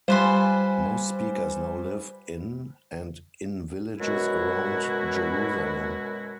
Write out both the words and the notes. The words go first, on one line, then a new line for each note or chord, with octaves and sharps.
Most speakers now live in and in villages around Jerusalem.
G3 F4 B4 C5 G#5 C6
F#2 B2 G#3 E4 F#4